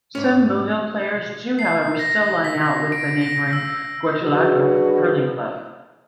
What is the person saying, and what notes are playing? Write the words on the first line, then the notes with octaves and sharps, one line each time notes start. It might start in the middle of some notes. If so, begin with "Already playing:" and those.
Some Mohill players do however still line out with the neighbouring Gortlettragh Hurling Club.
G#2 C#4
C7
A#6
B6
D7
A#6
E6
F#3 D4 F#4 G#4 B4